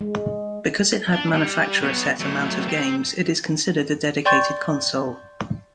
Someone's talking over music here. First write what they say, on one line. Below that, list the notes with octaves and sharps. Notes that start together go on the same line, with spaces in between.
Because it had manufacturer-set amount of games, it is considered a dedicated console.
G#3
D4
G3
F#3 B3
F#3 A3
C4
D5 G5 C6 C#6 G6 A6